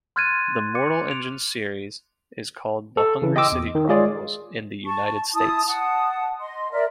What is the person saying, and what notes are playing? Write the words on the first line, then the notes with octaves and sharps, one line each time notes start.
The Mortal Engines series is called the "Hungry City Chronicles" in the United States.
C6 F6 F#6 G#6 A6 D#7
D6 C#7
D7 F7
A4
C#3 E3
D#5 G5 C6 D6 E6
E2
D#3
G#3 F4 G#4 C#5 D5
A5 C#6
E4 A5 D#6
F#5 A5 D#6
D#5 C6
A#4 D5 E5